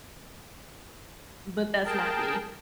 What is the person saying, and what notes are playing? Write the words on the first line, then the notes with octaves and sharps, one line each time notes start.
but that's not me,
G#4 A#4 G5 A5